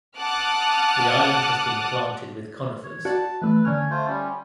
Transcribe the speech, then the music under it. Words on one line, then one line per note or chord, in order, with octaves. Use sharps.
The island has been planted with conifers.
F#5 A5 D6 D#6 F6 F#6
C#5
F#4 D5 F#5 A5
E3 A3 B4
D3 C#4 C#5 F6
A3 F4 C5
G3 C#4